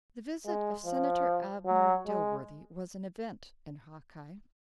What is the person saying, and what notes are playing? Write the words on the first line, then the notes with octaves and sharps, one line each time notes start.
The visit of Senator Abner Dilworthy was an event in Hawkeye.
G#3
F3
F#3
G#3